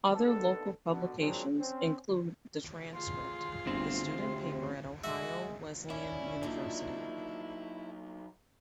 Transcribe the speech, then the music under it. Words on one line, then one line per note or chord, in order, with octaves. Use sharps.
Other local publications include "the Transcript", the student paper at Ohio Wesleyan University.
D#2 D3 B3 A4
B2 D3
F3 F#3 G#3 A#3 C4 D4
C4 C#4
F4 G#4 C6
G1 D2 C4
C3
G#3 F#4 E5
C#4 E4 D5
F#3 A#3 D4 D#4 F4